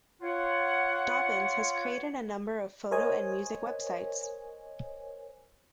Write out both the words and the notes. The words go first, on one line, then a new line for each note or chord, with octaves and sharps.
Dobbins has created a number of photo and music web sites.
F4 C#5 F#5
A#4 C5 C#5 D#5 G#5